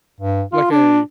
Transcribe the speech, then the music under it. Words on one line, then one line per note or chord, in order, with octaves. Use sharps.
Like a
G2
F4
D4